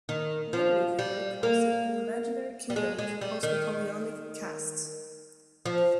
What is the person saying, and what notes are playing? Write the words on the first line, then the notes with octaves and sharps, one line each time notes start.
One reviewer calls it "an imaginary kingdom with a post-Napoleonic cast".
D#3
F3
G3
A#3
G3
G#3
G#3
G3
D#3
F3